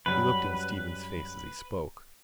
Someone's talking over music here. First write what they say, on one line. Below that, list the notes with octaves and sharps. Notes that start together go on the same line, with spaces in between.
He looked in Stephen's face as he spoke.
F#2 F#3 G3 B4